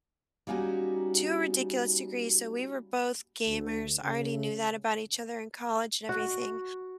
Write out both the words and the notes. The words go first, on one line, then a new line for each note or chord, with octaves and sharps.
to a ridiculous degree, so we were both gamers, already knew that about each other in college and everything.
G3 A#3 C#4 D#4 F#4
D2
C#3
F#4